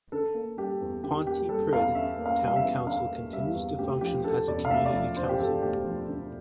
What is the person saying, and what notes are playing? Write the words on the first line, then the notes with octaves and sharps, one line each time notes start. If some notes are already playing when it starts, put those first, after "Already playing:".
Pontypridd Town Council continues to function as a community council.
D3 A4
A#3
G3 G4
E2
D3 G4
A#3 G4
G3 A4
E2 F5
D3 E5
A#3
F5
G3
F5
E5
E2
D3 F5
A#3
G3 E5
E2
D2 G4
F3 G4
D3 A4
E1 D5
F5
D2 E5
D5
F3 E5
D3 C5
G4
E1 A4
D2 G4
F3
D3